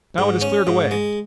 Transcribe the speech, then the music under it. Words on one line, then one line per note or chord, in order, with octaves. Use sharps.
Now it has cleared away!
G#2
C#4
G#2
G#3